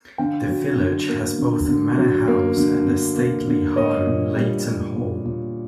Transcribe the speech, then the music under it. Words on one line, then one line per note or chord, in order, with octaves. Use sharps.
The village has both a manor house and a stately home Leighton Hall.
D3 F5 G5
F#3
D3
A#3
D3
D3
F#3
A#3
D3
D3
A#3
D3
A#3 C#5 D#5
A#2
G3
G3
A#2
A#2